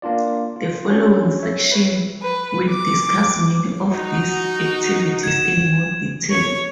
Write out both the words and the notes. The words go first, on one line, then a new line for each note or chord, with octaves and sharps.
The following section will discuss many of these activities in more detail.
A#3 D4 F4 D5
F4
C#4 D4 F#4 C#5
C#5 E5
B4 C#5
B4
D6
D#4 F#4 F#5
G#6 E7
C#5